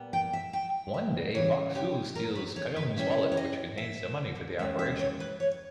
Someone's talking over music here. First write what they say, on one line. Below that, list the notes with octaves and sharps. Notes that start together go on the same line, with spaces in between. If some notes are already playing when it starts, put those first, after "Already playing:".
One day Bok-su steals Kyung's wallet which contains the money for the operation.
Already playing: A#2 G3 B3
G5
E5
G5
E5
C#3 E3 G3 C#5
G4
A#4
B4
C#5
B4
C#3 G3 C#4 E4 E5
C#5
D#5
E5
D#2 C#3 G#3 C#4 E5
E5
C#5
B4
C#5